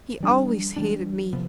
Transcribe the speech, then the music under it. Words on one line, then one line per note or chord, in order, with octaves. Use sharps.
He always hated me.
E3 G3 D4
E3 G3 D4
C3 F3 B3